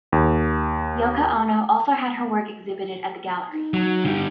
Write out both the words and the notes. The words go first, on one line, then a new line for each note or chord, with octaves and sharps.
Yoko Ono also had her work exhibited at the gallery.
D#2
D#4
F#3
D3 G3